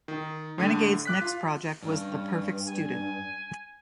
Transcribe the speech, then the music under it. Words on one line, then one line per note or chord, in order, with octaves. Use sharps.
Renegade's next project was "The Perfect Student".
D#3
A2 D3 D#7
D6 F#6 B6
F4
G2 C#4
G#5